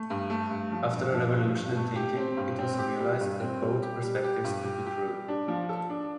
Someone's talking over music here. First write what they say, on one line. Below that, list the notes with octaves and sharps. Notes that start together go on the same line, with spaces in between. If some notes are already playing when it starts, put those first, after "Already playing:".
After a revolution in thinking, it was realized that both perspectives could be true.
Already playing: A3
G2
A3
G2
F3
G2
F3
G2
G2
A3
G4
C4
G2
C4
G4
G3
G2
C4
G3
G4
G3
G4
G2
G4
G4
G3
D4
F3
A4
D4